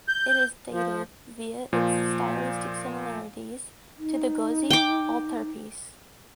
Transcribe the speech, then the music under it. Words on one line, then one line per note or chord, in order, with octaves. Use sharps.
It is dated via its stylistic similarities to the Gozzi Altarpiece.
G6
F3
A#2 F3
D#4
G5 D6